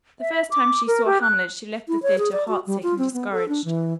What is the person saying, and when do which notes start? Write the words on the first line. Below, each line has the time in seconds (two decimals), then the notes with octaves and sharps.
The first time she saw "Hamlet" she left the theatre heartsick and discouraged.
0.20 E5
0.51 D6
0.87 A#4
1.06 G4
1.22 F#6
1.88 E4
2.02 C#5
2.18 G#4
2.32 D5
2.48 F#4
2.67 G3
2.83 F4
2.98 C4
3.13 B3
3.32 A4
3.49 D4
3.64 E3